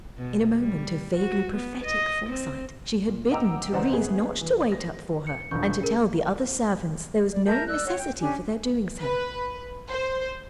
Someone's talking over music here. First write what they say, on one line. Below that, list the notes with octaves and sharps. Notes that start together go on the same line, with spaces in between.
In a moment of vaguely prophetic foresight she had bidden Therese not to wait up for her and to tell the other servants there was no necessity for their doing so.
B2
G3
F#4
B3
D#5
C4
A#2
D#5 F#5 G5 A#5 D6 E6
C#2 E3 C5 D5 F#5 A#5
G1 B3 G#4 B4
E3
A#6
C#7
E1 A#1 C#6 G6
C#3 G#4 A#4
D5
A#4 E5 A5 G6
D5 E6 F#6
C#5 F#5
G5
C#4 D4 G4 G#5
B4
C5